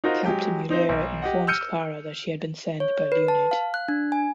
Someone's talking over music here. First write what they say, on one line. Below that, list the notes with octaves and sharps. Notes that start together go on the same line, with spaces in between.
Captain Muller informs Klara that she had been sent by Leonid.
D#4 F4 F#4 A#4 C5 D#5
F#3 G#3 G4
C4 D#4 C5
B1
G4 D#5 F#5
E6 F6 G6 C#7 D#7
C#5
B4
A5
F5
F#6
D4
G#5